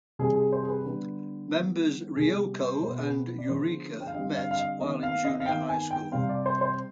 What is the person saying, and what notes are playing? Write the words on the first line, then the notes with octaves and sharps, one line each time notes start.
Members Ryoko and Yurika met while in junior high school.
C3 G3 C4 G#4
G#4
C5
G#4
B4
D3 G3 B3 B4
D#3 G3 B3
C3 G3 B3 G#4
G4
C5
B2 B3 C5
B4
G#4
B4
D5
D3 F3 G#3 B3 C5
G5
F5
D3 G3 C4 D#5
F5
F5
D#5
D#3 B3 D#5
F5
D#5
F5
D#3 B3 G5
G#5
G5
C3 G3 C4 F5
D5
C5
C5